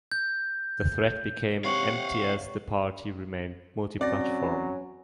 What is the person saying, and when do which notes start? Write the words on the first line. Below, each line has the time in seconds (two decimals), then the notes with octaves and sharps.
The threat became empty as The Party remained multi-platform.
0.12 G6
1.65 C3 C#5 F5 F#5
4.01 F#3 C4 C#4 D5 A#6